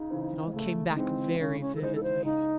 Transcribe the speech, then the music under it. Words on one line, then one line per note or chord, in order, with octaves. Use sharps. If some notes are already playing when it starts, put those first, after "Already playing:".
It all came back very vividly.
Already playing: C#2 C#3 D#4
C#3 E3 C4
G#3
C#3 A3
A3
E3 G#3 C4 D#4
C#3 C#4
C#4
A4
E3 G#3 D#4 C5
A4
C5
C#2 D#4